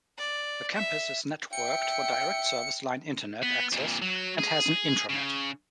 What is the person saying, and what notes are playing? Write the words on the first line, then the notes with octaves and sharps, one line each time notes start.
The campus is networked for direct service line internet access and has an intranet.
D5
E5
E5 G5 C#7
B3
F2 A#2
F#3
G#4
C#3